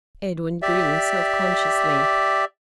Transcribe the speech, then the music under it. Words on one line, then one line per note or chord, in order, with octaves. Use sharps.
Edwin grinned self-consciously.
G4 D5 E5